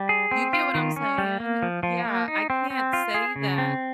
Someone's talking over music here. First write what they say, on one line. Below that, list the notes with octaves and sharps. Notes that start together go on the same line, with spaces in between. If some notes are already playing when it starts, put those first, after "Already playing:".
You get what I'm saying? Yeah, I can't say that,
Already playing: G3
G#4
C4
F4
D#3
C#4
G3
A#3
F3
F3
A#3
D#4
C4
C4
F4
G#4
C#3
C4